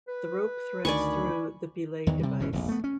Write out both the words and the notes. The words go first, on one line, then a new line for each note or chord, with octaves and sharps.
The rope threads through the belay device.
B4
D2 D#3 D5 G#5 B5 C#6
E2 D#3 E3
C3 G3
G#1 B2 E3 C#4
F1 A#1
A3 B3
C#4